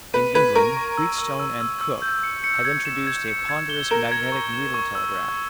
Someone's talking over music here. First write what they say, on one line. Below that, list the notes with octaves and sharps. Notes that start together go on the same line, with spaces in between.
In England, Wheatstone and Cooke had introduced a ponderous magnetic needle telegraph.
B4 D#7
B4 G#6
A#4 C#6
C#6
E6
E6
E6
E6
E6
G6
C#7
C#7
G#6
E7
G#6
C#7
G#6
G7
A#4 E7
G#6
C#6
E7
C#6
E6
E6